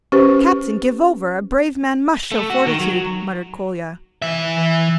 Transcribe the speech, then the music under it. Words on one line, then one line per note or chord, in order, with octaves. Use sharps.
"Captain, give over, a brave man must show fortitude," muttered Kolya.
C#4 G4 B4 C5
A3
F#4
D#3
F#3
E3 E5